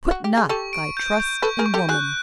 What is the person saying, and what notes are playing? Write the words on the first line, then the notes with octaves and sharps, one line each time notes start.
Put not thy trust in woman!
F#4
G4
G#4
G4 A4 C#6
D7
G6
G6
A4 B4 C#6
G#4 A#4
C#6
G4 A4
F#4 G#4 F#6